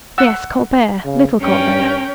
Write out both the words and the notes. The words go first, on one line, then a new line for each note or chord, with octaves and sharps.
"Yes, Colbert, little Colbert."
F#5 E6
C#3
G2 C#4 A#4 G5